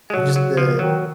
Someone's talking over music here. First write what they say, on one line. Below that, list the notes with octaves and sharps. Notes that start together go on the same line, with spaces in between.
uh, just the
G#3
B2 F#3
C#3
F#3
C#3
F3
D#3 F#3